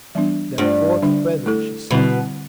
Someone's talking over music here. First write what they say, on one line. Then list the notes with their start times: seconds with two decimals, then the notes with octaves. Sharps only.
"That fourth feather," she said.
0.15 E3 G3 B3 D4
0.58 G2 A3 D4 F4 C5
1.02 D3 G3 D4
1.46 A3 E4 A4
1.91 B2 D3 G3 C4 E4